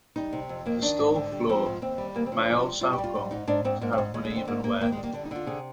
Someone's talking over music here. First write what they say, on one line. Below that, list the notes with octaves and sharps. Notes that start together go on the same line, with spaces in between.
The stall floor may also come to have uneven wear.
G3 D#4
C3
F2
D#3 A#3
D#3 D4
G#2
D3
G3
F3 C4
G#2
D#2 C4
G3
D2 A#3
C4
F3 D4
G3
G3
G3 F4
G4
G3
F4
G#2
G#2 D#4
G#2 D4
G#2 C4
G#2 A#3
C4
G#2
D#2 G#3
G#3
D3
C4
G#2 A#3
G#2 A#3
D#3 A#3
G#3
G3
A#3
D3 D4
D#4
D3 F4
C3 G#4